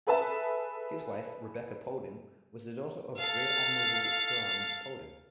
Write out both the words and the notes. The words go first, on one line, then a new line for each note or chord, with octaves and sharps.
His wife, Rebecca Paulding, was the daughter of Rear Admiral Hiram Paulding.
G#4 A4 B4 E5 A5
A4 F5